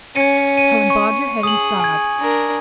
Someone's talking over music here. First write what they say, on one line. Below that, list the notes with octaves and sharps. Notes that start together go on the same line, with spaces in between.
Helen bobbed her head and sobbed.
C#4 C#7 D#7
D#7
C#6
G#4 D#6 F#7
G#5 G#6
D4 A#4